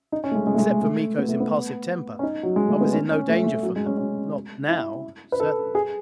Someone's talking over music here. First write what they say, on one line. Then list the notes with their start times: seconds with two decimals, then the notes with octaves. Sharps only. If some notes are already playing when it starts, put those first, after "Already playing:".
Except for Miko's impulsive temper, I was in no danger from them--not now, certainly.
0.12 D#4
0.24 C#4
0.31 A3
0.35 G#3
0.47 G#3
0.54 A3
0.58 G#3
0.70 A3
0.82 A3
1.18 B3
1.29 A3
1.40 B3
2.19 C#4
2.23 D#4
2.43 F#3
2.56 G#3
2.68 A3
2.81 B3
2.93 C#4
3.11 C#4
3.29 A3
3.46 A3
3.63 F#3
3.76 G#3
3.86 C#4
3.98 C#4
4.68 E4
5.32 B4
5.40 A4
5.75 G#4